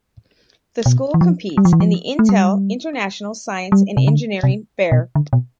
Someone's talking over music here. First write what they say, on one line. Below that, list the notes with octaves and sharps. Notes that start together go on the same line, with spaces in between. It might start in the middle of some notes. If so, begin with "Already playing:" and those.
The school competes in the Intel International Science and Engineering Fair.
B2
E3
F3
G3
F3
E3
F3
A3
G3
G3
C3
D3
C3
B2
D3
B2